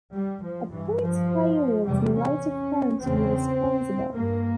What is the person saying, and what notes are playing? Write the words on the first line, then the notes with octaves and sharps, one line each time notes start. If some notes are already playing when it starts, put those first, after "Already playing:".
A points failure was later found to be responsible.
G3
F3
G2 E3
F3
E2 C3 G3
C#4
E2 C#3 C4
G2 A#3